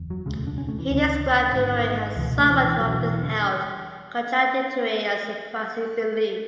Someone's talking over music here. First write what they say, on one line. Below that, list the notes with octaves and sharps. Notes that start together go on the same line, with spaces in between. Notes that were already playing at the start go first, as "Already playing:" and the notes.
He described Emory as someone who often held "contradictory and surprising beliefs".
Already playing: F#1 E2
F#3
E1 D2 C#3 G#3
A3
D4
C#4
A3
E3
D2 C#3
G#1 G#2 D3
C#2 B2 E3
A3
E3
E3
E1 E2 B2 F#3
F#3
E3
E3
D3